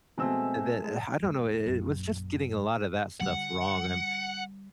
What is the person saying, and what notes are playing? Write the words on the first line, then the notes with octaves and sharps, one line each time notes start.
and then uh, I don't know, it it was just getting a lot of that stuff wrong, um,
B2 G#3 A3 C4 E6
G#3
E2 G#2
A#1 F#2
D3 G3 F#5